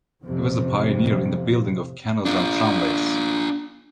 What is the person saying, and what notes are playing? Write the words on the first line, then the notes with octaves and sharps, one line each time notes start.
He was a pioneer in the building of canals and tramways.
A1 F2 C3
D4 F4